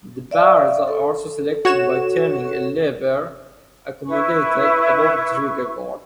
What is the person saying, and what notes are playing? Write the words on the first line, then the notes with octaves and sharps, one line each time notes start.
The barrels are selected by turning a lever accommodated above the trigger guard.
D5 E5 F5
A4
F#4 C#5 E7
E4 B4 C#6